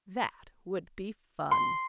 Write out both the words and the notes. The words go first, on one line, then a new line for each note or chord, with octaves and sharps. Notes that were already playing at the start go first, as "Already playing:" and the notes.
That would be fun!
C6